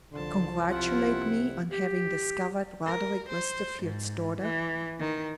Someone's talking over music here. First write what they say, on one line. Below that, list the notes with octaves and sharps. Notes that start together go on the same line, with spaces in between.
"Congratulate me on having discovered Roderick Westerfield's daughter."
C2 D3 F3 A5 C6
C3 E4 F4 F#5
G4
A#4
C5
G#2
E3
D#3